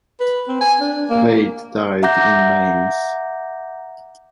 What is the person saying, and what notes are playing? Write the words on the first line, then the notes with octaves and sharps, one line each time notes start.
Veit died in Mainz.
B4
C4
G#5
D4
A#3
E5 F#5 A#5 D6 G6 A#6